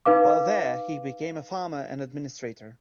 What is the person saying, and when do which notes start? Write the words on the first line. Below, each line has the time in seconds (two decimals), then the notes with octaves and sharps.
While there he became a farmer and administrator.
0.06 D#4 B4 F5 D6